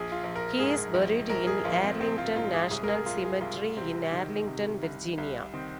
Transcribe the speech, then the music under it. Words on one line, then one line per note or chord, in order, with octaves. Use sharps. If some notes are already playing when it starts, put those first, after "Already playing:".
He is buried in Arlington National Cemetery in Arlington, Virginia.
Already playing: A#1 G#4
F4
A#1
A#4
G#2 G#4
A#1
A#1 A#4
G#4
A#1 F4
C4
A#1 C4
F4
G#2 F4
G#4
C2 G#4
A#4
G#4
C2 F4
G#4
C2 F4
C3 C4
D#3
C3
C2
C2
D#3 C4